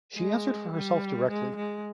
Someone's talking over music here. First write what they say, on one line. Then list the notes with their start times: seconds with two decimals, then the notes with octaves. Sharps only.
She answered for herself directly.
0.16 G#3
0.73 G3
1.30 G#3
1.56 G#3